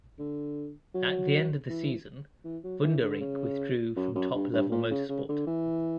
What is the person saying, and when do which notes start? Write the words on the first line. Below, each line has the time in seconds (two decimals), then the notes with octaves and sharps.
At the end of the season, Wunderink withdrew from top-level motorsport.
0.19 D3
0.94 F#3
1.69 E3
2.44 E3
2.63 F#3
2.83 E3
3.02 D3
3.20 C#3
3.96 F#2
4.15 F#2
4.34 G2
4.53 G2
4.71 A#2
4.91 C#3
5.09 C#3
5.29 D3
5.47 E3